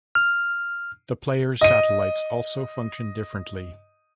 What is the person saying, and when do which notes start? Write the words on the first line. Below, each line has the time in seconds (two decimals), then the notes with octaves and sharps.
The player's satellites also function differently.
0.15 F6
1.61 D#5 D#7